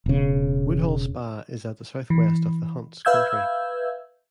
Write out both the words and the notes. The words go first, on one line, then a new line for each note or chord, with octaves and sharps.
Woodhall Spa is at the south-west of the Hunt's country.
E1 C#3
E3
B4 E5 F5 E6 G6 G#6